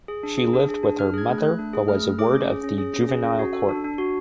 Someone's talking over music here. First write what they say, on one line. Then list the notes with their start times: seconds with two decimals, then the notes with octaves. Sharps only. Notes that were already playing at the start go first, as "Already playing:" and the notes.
She lived with her mother, but was a ward of the Juvenile Court.
0.08 G#4
0.23 D4
0.38 G#4
0.53 D4
0.69 G#4
0.83 D4
0.98 D4 F6
1.14 G#4 G#6
1.29 A3
1.38 F#6
1.43 A3
1.59 D4
1.73 G#4
1.88 A3 F6
2.04 A3
2.18 G#4 D6
2.33 C#4
2.49 G#4
2.64 C#4
2.78 G#4
2.94 C#4
3.09 G#4
3.24 C#4
3.39 F#4
3.53 A4
3.69 D4
3.84 D4
3.98 F#4